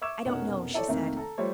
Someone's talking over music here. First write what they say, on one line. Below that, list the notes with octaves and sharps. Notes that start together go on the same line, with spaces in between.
"I don't know," she said.
E5 C#6 D6 E6 G#6 E7
F1 B2 C#4 D#4 A#4 F#5
E4 A4 C#5 D5
F2 C3 D#3 A3 A#3
A4 A#5
F3 G3 A3 C5 C#5